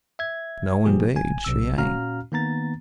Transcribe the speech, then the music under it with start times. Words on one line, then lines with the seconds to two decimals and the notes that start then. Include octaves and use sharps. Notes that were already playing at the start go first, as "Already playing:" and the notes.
"No, indeed, she ain't."
0.19 E5 G#6
0.86 B2 F3 A#3 G4 G#4
1.16 G1 G#5
1.45 B1 C3 E6
1.78 A#2 C#4 F#4 F5 A#5 F6
2.32 D#3 A#3 B3 A#5 A6